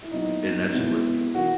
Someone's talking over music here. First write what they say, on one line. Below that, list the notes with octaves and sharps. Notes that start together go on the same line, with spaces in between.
And that's what
E4
A#2 F#3 B3 D#4
B2 G#3 B3 E4
E3 A#3 F#4